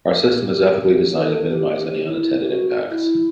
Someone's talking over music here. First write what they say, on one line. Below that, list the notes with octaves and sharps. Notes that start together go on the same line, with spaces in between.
Our system is ethically designed to minimize any unintended impacts.
G4
G4
B4
A4
G4
G4
E4
G4
F#4
E4